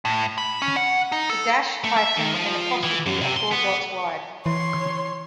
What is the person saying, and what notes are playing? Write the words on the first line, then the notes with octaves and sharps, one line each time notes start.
The dash, hyphen, and apostrophe are four dots wide.
A2
B5
C#4
F#5
D#4
A4
A3
E5
D#3
F3
E3
F#2
C3
C6
B3
E3 C#5 C6